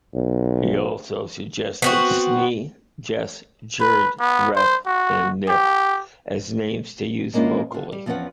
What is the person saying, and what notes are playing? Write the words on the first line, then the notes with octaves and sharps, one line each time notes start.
He also suggested "snie", "jes", "jerd", "reff", and "niff" as names to use vocally.
B1
B3 C4 F#4
B4
B3
C5
F#4
G4
G#3 A#3 C#4 D4 E4 F4
D3 F4
G3
E2 F3 C4 C#4 B4 F#5